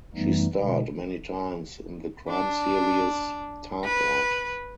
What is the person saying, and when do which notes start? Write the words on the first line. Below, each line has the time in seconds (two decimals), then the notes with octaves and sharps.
She starred many times in the crime series "Tatort".
0.14 F#2 E3 G3 A3 B3 D#4
0.58 B2 D3 G#3
2.28 D4
3.84 B4